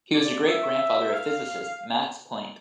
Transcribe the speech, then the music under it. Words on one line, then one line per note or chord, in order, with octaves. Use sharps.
He was the great-grandfather of physicist Max Planck.
D5
E5
F5